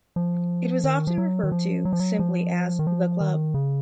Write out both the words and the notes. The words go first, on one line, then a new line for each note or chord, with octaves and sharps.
It was often referred to simply as "The Club".
F3
D#3
F3
F#3
D#3
F3
F#3
F3
F#3
F3
D#3
F3
D#3
C#3